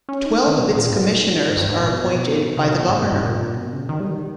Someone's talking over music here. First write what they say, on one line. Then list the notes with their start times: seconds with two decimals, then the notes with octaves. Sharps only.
Twelve of its commissioners are appointed by the governor.
0.09 C#4
0.26 D#4
0.48 D#3
0.59 B2
0.75 A#2
0.91 G#2
1.57 G2
1.69 G#2
1.80 A#2
1.91 B2
2.57 C#3
2.68 B2
2.78 B2
2.89 G#2
3.01 G2
3.12 G2
3.23 A#2
3.55 B2
3.72 C#3
3.89 D#3
4.00 G3
4.10 D#3